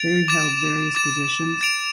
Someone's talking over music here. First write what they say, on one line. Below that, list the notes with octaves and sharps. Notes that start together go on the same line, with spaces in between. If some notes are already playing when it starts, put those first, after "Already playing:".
There he held various positions.
Already playing: A6 D7 F7
D6 A6 E7
D6 A6 E7
A6 D7 F7